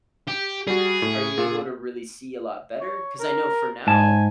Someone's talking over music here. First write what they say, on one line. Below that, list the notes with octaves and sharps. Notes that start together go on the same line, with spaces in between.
are you able to really see a lot better? 'Cause I know for now,
G4
G3 F#4 G#4
A2
A#2 F4
C#5
A#4
G#2 G#5 A5